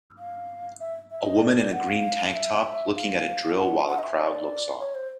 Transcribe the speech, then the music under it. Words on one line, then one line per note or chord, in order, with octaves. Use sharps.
A woman in a green tank top looking at a drill while a crowd looks on.
F5
E5
E5
D#5
D5
D5
F#5
F5
F5
E5
F5
F#5
F#5
D#5
E5
D5
C#5
C5